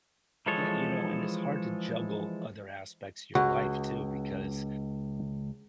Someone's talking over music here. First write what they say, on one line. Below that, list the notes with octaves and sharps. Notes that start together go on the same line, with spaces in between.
Yeah, you know, and it's hard to juggle other aspects of your life too because,
E3 F3 G#3 A4 C#5
C#2 F#4